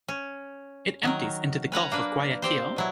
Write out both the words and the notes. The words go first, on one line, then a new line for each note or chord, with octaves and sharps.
It empties into the Gulf of Guayaquil.
C#4
D#3 F#3 A#4
C#4 B4 F#5 A#5
A#3 D4 B4
C4 G4 C5
B2 F#3 E4